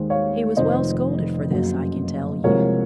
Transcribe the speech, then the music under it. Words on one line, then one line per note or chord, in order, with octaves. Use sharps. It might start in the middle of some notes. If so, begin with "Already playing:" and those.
He was well scolded for this, I can tell you.
Already playing: D#2 D#3 G#3 C5
C#5 F5
F1 F2 D#3 C5 D#5
F#1 F#2 C#3 F#3
C2 C3 F3 G#3 A#4 C#5